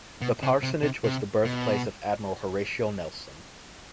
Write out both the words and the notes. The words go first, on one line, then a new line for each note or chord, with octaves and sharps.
That parsonage was the birthplace of Admiral Horatio Nelson.
B2
C3
C3
C3
C3
B2